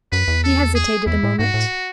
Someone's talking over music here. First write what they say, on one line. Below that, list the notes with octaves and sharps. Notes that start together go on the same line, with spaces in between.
He hesitated a moment.
F#2 B4
E2
A4
G#4
E2 E4
A2
G#2 F#4
A2